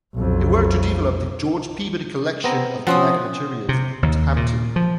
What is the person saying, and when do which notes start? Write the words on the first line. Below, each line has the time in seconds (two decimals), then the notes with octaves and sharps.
He worked to develop the George Peabody Collection of Black materials at Hampton.
0.15 B1 F2
2.44 B3 C4 A#5
2.87 F3 C4 C#4 F#4 C6 D#6
3.69 C3
4.03 D#2
4.36 A#2
4.76 F3